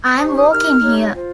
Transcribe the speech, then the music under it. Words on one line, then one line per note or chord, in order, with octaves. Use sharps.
I'm walking here!
D#4 G4 C5 D#6
C#6
D#6
D#4 G4 A#4 F6
D#4 G4 C#5
F4 C5